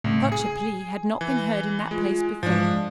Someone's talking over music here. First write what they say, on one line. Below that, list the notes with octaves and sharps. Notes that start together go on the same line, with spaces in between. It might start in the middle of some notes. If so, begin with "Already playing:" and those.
Such a plea had not been heard in that place before.
C2 A2 C#3
G#4 G#5
E3
G#3 F4
G#2 F3 G#3 D4